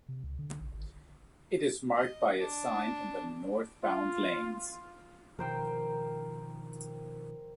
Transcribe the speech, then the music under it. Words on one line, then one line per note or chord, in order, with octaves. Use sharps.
It is marked by a sign in the northbound lanes.
C3
C#2
D3
A#1
G#1
D#5
D4
F4
B2 D#3 F3 A#4 C5 G5